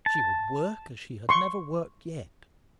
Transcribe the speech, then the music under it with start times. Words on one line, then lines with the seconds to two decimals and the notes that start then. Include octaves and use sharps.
She would work as she had never worked yet.
0.06 A5
1.29 C6 C#6